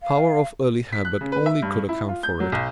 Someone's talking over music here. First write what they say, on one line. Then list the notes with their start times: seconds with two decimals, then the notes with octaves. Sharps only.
The power of early habit only could account for it.
0.02 F5
0.93 B6
1.05 F#6
1.21 C#3
1.32 B4
1.46 E5
1.62 G2
1.89 E4
2.08 F4
2.23 G6
2.40 F#3
2.52 B1